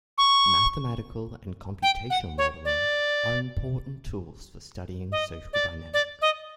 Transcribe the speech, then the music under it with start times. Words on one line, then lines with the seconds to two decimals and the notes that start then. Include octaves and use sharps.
Mathematical and computational modeling are important tools for studying social dynamics.
0.18 C#6
1.82 G5
2.10 F#5
2.38 C#5
2.65 D5
5.12 D#5
5.53 D5
5.94 D5
6.22 D#5